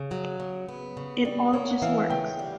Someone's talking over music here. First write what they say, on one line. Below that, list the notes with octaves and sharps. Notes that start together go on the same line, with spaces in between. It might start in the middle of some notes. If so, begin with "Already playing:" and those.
It all just works.
Already playing: C#3
F#3
C#3
B3
C#3
G3 D5
A#3 C#5
F#5
E3 F5
C#3 G5
G3